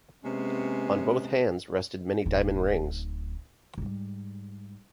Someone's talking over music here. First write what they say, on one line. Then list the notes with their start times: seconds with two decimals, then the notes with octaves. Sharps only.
On both hands rested many diamond rings.
0.24 C3 G#3 A#3 B3 C#4
2.26 D1 D#4
3.78 G#2 G3